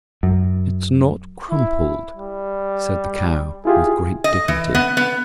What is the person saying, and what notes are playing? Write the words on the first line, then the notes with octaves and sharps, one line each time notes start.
"It's not crumpled," said the Cow, with great dignity.
F#2
E4
G3
E4 F4 G4 G#4
D#5
E3
B3
B3